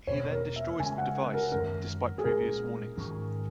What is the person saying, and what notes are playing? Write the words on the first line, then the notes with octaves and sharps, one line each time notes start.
He then destroys the device, despite previous warnings.
E2 B2 A#3 C#5
A#4
E5
C#3 G#3 C#4 G#5
F#5
A#4
F#2 D#3 G#3 C#4 A#4
G#4
A#2 G#3 C#4 A#4
G#2 D#3 F#3 C#4